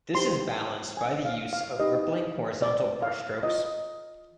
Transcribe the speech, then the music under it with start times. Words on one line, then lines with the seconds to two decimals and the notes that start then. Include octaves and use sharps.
This is balanced by the use of rippling horizontal brushstrokes.
0.15 D#4 G4 C5 C6
0.97 G#5
1.25 F5
1.53 F5
1.79 D#4 G4 B4 D#5
2.62 D5
3.02 F5
3.43 F4 B4 D#5